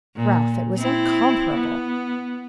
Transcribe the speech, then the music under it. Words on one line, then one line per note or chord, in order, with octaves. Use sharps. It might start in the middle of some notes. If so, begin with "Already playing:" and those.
"Ralph, it was incomparable!"
A#2
C4 E4
B3